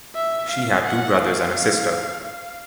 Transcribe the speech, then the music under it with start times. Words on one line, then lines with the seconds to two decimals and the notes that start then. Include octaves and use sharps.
She had two brothers and a sister.
0.15 E5
0.50 F5
0.85 F#5
1.20 F5
2.25 F5